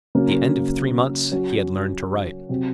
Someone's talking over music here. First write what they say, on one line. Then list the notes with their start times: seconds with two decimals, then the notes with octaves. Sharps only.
At the end of three months he had learned to write.
0.15 C#3 F#3 A#3 C#4 F#4
1.32 F#3 C#4 F#4
2.49 C3 F#3 C4 F#4